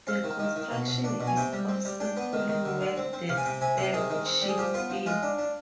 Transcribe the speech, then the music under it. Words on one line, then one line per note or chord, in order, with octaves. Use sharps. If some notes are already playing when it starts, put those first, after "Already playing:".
The construction is of simple welded stamped sheet steel.
C4 F5
D#3
D#3
D#3
B2
B2
D4
B2
G#5
C3 G5
G3
C4
G3
D4 G5
B3
D#3
D#3
D3
D3
C4
C4
C3 F5
G#5
C3 G5
C3 G#5
C3 G5
D#3 G#4
D#3
C4
G3
G#4
F3 G4
B3 F4
F3
G#3 F4
D4
D4